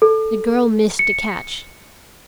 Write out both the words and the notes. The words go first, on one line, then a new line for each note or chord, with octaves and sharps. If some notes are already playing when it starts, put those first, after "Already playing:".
The girl missed the catch.
A4
C#7